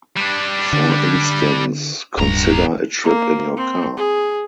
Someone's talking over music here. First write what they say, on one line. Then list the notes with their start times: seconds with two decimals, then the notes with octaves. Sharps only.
For instance, consider a trip in your car.
0.17 G3 D4
0.73 D3
2.18 D1 B1 G2 A#5
3.04 A#3
3.58 C4
3.97 G#4